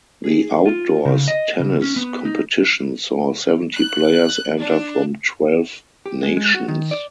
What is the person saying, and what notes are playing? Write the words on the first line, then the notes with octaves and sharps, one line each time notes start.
The outdoors tennis competition saw seventy players enter from twelve nations.
G#4
F4
C#3
D#5
C#3
C#4
B3
D#4
F#6
D4
G4
G#3
G#3
F#4
D#3
D5